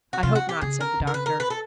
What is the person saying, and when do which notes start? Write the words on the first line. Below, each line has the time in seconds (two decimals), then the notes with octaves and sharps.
"I hope not," said the doctor.
0.13 F#4
0.23 C3 F4
0.35 F#4
0.49 G4
0.61 C#3 G#4
0.81 A#4
1.00 C#3
1.07 A#4
1.14 B4
1.26 A#4
1.40 B4
1.50 A4